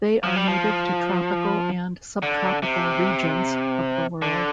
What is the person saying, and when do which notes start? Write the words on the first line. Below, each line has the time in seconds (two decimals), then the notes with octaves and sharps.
They are native to tropical and subtropical regions of the world.
0.24 F3
0.36 G3
0.48 F3
2.23 D3
2.62 C3
4.22 D3